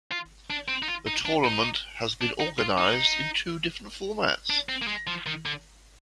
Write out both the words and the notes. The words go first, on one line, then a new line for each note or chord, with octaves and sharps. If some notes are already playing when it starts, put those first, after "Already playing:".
The tournament has been organised in two different formats.
F4
D4
C4
D#4
F4
D#4
D4
D#4
D4
D#4
F4
D#4
D4
C4
A#3
G#3
F3
D#3
D3